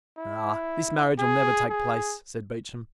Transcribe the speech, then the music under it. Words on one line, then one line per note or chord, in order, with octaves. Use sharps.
"Ah, this marriage will never take place," said Beauchamp.
E4
G#4
G#4